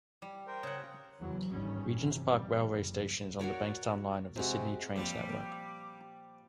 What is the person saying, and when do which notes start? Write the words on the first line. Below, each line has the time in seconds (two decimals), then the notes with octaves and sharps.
Regents Park railway station is on the Bankstown Line of the Sydney Trains network.
0.22 G3
0.47 A#4 C5 G5
0.63 C#3 F#5
1.20 E2 C#3 E3 F#3
1.50 G1 G#2 D#3 G3 C#4
1.96 C3 E3
2.32 G3
2.72 F#1
3.39 F#4 A#4 C#5 D5
4.36 C3 G#3 F#4
4.96 A#2 F3 G3 C4 D6